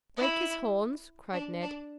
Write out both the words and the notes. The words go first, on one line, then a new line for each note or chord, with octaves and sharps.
"Break his horns!" cried Ned.
E4
D4
D4